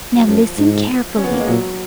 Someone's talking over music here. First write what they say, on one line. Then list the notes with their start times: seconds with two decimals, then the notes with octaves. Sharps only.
Now, listen carefully.
0.16 F#3
0.28 F#2 F3
0.58 G#2
1.17 C#4
1.24 B3
1.32 A#3
1.40 G#3
1.48 A#2 F#3